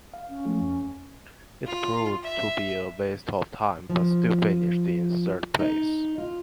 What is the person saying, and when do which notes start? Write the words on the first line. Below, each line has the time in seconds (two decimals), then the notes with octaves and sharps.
It proved to be a waste of time, but still finished in third place.
0.14 F5
0.29 C#4
0.45 F3 A3
0.61 F2
1.66 F4
2.23 E5
3.90 F3
5.59 D#4
6.18 F4